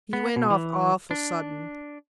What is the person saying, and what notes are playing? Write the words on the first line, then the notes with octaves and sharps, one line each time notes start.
He went off awful sudden.
B3
B2
E3
D4